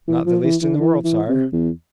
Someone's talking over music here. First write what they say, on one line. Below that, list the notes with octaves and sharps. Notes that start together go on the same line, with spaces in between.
"Not the least in the world, sire."
E3
F3
E3
E3
D3
E3
E3
C3
E2